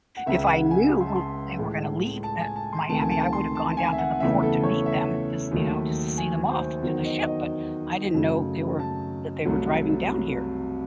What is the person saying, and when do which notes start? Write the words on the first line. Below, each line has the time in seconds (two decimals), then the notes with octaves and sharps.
If I knew when they were gonna leave, eh, Miami, I would have gone down to the port to meet them just you know, just to see them off to the ship, but I didn't know they were that they were driving down here.
0.17 F#5
0.26 C#2 C#3 G#3 E5
0.49 F#5
0.71 G#5
1.01 C6
1.07 A5
1.16 C6
1.58 A2 G#3
2.23 A5
2.40 G#5
2.56 A5
2.73 C6
2.89 C#2 C3 D#3 A3 A5
3.00 G#5
3.11 A5
3.33 C6
3.55 A5
3.77 G#5
3.92 E5
3.98 F#5
4.20 E2 C#3 E3 A3 E5
4.43 A4
4.63 C#5
4.86 E5
5.52 D#2 D#3 F#3 A3
6.18 G#5
6.51 C5
6.82 E2 D#3 F#3 C5
7.05 D#5
7.27 D#5
8.14 F#2 C#3 F#3 A3
8.79 A5
9.45 C2 C3 F#3 A3